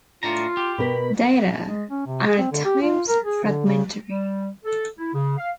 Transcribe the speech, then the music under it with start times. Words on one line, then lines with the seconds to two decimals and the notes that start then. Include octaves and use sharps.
Data are at times fragmentary.
0.23 A2 D4 F4 A#5
0.57 G4
0.78 B2 A#4 B5
1.65 G#3
1.90 C#4
2.06 C3
2.26 G#4
2.38 C4
2.52 D3
2.65 G4
2.82 F4
3.08 A#4
3.24 G#4
3.45 D3
3.66 C#3
4.08 G3
4.65 A4
4.98 E4
5.14 C#3
5.38 F5